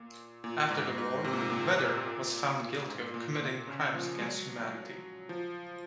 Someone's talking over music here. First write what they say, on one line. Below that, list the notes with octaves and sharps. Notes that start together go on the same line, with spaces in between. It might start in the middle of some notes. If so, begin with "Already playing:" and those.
After the war, Vetter was found guilty of committing crimes against humanity.
Already playing: A#2
A#2
G#2
G#2
C3
A#2
G#2
A#2
A#2
G#2
A#2
A#2
C#3
F3
G#3
F#3
F3